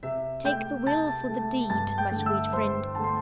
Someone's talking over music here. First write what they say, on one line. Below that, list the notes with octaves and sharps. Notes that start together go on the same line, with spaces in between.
Take the will for the deed, my sweet friend.
C3 E5
A3 G5 G6
C3 A5 A6
A3
G2 A5 A6
G5 G6
D3 A3
E5 E6
G2 C5 C6
D3 A3 A5
C6